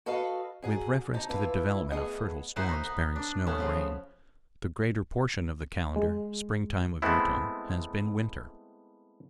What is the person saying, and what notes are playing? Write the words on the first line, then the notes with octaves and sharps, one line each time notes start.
With reference to the development of fertile storms bearing snow and rain, the greater portion of the calendar springtime of Utah has been winter.
F#4 A4 B4 D#5 F5
F#2 G#4 F#5
C3 D#4 A5
E3 E4 F4 B4
A3 B3 G#4 D#5 F#5
B3 D#4 E4 C5 F#5 G#5
D#4
B3
D4
A3 B3 C#4
C#3 F3 B3
G#3
G#3 A3 B3 C4 E4